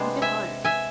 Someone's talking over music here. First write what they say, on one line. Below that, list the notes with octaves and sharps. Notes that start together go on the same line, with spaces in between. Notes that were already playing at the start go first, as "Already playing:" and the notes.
You get hired.
Already playing: C3 G#3 B3 D4 C5
E5 G#5
E5 G#5